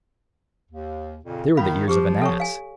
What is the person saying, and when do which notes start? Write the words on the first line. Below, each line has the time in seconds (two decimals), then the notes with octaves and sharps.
They were the ears of an ass!
0.71 D#2
1.24 F2 A#2 C#3
1.57 F#2 A2 D#3 F4 F5 B5
1.88 F3 G4 C#6 D6
2.22 A4 C#5 C#6
2.40 F5 G#5